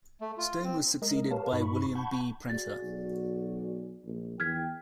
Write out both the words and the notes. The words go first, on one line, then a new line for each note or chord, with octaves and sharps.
Stone was succeeded by William B. Prenter.
A3
F4
C4
G#3 A#4 D#5
G4 A#4 B4 C#5 F5 A5
G2 D#4 B5 C#6
F#5 A5 B5 C#6 G6 G#6
F#4 G#4 D5 A6
B1
A#1
E2 G5 F6 G#6 B6